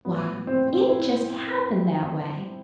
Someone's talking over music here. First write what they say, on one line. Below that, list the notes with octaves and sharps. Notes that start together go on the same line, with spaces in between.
Why, it just happened that way.
A2 F3 B3
C4
C4
E4